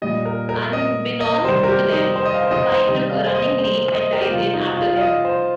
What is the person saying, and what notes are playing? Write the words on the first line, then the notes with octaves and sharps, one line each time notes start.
Unbeknownst to them, Spike took a running leap and dived in after them.
A#2 G3 D#5
A#4
A#4
D#5
D#5
C3 D#3 G3 C5
A#4
G4
D#4
C5
D#5
F5
C5
D#5
C5
C3 D#3 G3 D#5
F5
C5
D#5
C5
A#4
D#5
A#4
G4
C3 G3 F4
D#4
F4
F5
D#5
C5